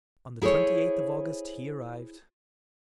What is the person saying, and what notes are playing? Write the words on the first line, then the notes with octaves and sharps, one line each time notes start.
On the twenty-eighth of August he arrived.
E4 G#4 A4 C5 C#5